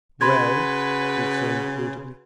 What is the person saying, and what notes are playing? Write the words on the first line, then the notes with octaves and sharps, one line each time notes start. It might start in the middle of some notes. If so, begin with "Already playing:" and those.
'Well?' he exclaimed irritably.
C#3 F#4 B4 B5 C6 G#6